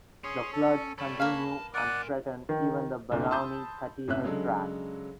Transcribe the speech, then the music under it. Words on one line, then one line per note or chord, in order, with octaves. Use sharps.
The floods continue and threaten even the Barauni–Katihar tracks.
C#4 G#4 C6
A4
G3 A4 C#5 B5
A#3 B4 F5 A5
A#4 D5 F#5 G#5
D#3
C2 A#2 D3 A3
A5 B5 C6 D#6 E6 G6
A1 C3 C#4 E5 F#6
C#3 F#3 G#3 D4 A4